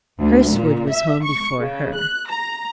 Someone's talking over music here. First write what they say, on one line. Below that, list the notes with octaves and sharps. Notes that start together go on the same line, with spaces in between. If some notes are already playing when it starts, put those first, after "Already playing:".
Hurstwood was home before her.
D2
A#2
E5
C#6
C#3
F#6
A#5